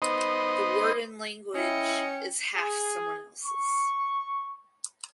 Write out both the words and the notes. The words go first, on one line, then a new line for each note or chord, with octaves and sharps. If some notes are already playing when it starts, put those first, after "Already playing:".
The word in language is half someone else’s.
B3 D#4 C5 D#5
C#4 E4 D#5 G5 C#7
G#4
C#6